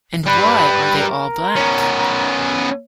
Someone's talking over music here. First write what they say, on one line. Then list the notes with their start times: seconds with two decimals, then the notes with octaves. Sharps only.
And why are they all black?
0.26 G3 B4 B5
0.98 A#4
1.56 B3 C#4